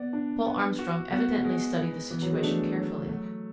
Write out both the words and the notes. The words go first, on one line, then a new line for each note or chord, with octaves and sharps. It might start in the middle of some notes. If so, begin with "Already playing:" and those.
Paul Armstrong evidently studied the situation carefully.
Already playing: B3 D5
D4
B3
F#4
B3 F#4
G#3
B4
E3 B3
F#3
G#3
A3 D4
F#3
F#3 A3